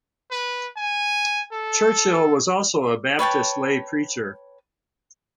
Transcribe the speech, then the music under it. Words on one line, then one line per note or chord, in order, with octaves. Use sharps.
Churchill was also a Baptist lay preacher.
B4
G#5
A4
B4 C#5 G5 A5